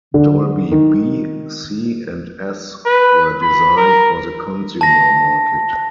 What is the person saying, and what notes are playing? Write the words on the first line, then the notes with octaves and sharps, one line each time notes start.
"Dolby B", "C", and "S" were designed for the consumer market.
D3
D#3
B4
B5
A#4
A5 A#6